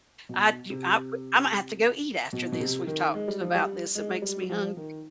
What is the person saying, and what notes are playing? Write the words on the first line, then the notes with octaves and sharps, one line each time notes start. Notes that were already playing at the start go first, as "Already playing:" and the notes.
I do Ima Imma have to go eat after this, we've talked about this, it makes me hungry,
B2
C3
B2
B2
C3
D#3
G#3
G3
F3
G3
G#3
G3
F3
D#3